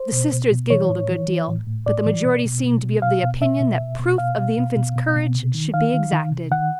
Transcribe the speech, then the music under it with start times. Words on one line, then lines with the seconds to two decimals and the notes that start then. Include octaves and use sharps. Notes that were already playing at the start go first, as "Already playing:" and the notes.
The Sisters giggled a good deal, but the majority seemed to be of the opinion that proof of the Infants' courage should be exacted.
Already playing: C5
0.12 B2
0.32 B2
0.51 B2
0.70 E3 C#5
0.89 A2
1.09 E3
1.28 E3
1.48 A2
1.67 A2
1.86 A2 D5
2.06 E3
2.25 B2
2.45 B2
2.64 B2
2.83 B2
3.02 B2 F5
3.23 B2
3.41 B2 E5
3.60 B2
3.80 B2
3.99 B2
4.18 B2 F5
4.38 B2
4.57 B2
4.77 B2
4.96 B2
5.16 B2
5.35 C3
5.54 D#3
5.74 D#3 F5
5.94 D#3
6.12 D#3
6.31 C3
6.51 D#3 F#5